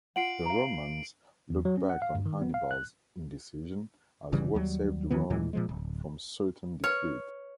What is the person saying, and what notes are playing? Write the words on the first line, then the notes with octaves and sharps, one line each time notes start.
The Romans looked back on Hannibal's indecision as what saved Rome from certain defeat.
F4 F#5 C7 D7 F#7
F5 A#5
E2
F#3
C#4
F#5
F5
G2
D#3
B3
F5
F#6
G1 C#3 E3 G3
D#2 F#3 G3
D#2 D#3 E3 B3
D#2 A#2 E3 G#3
A#2 F3 G#3
D1
B4 C#5